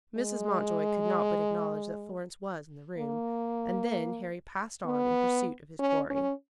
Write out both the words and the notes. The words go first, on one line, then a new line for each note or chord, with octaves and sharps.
Mrs. Mountjoy could not but acknowledge that Florence was in the room, and then Harry passed on in pursuit of his quarry.
G#3
A#3
B3
C#4
C#4